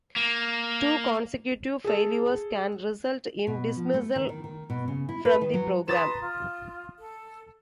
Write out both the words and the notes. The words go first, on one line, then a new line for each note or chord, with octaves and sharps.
Two consecutive failures can result in dismissal from the program.
A#3
G#4 A4
B2
F3
A3
D#3
D#3
D#3
B2
C#3
E4
B4
D#3
F#3
B4 A#5 C6 D#6 A6 E7
F4
A4